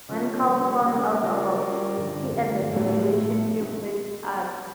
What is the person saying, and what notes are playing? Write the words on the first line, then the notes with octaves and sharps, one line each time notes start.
When Karl found out about this, he ended the relationship with Abi.
C#3 F3 C#4 F4 A#4
C#3 G3 A#3 C#4
C#3 G3 A#3 C#4
G3 C#4 F4 A#4 D5
G3 C#4 F4 A#4 D5
G2 D3 F3
G2 D3 F3
A2 F3 A3 E4
A2 F3 A3 E4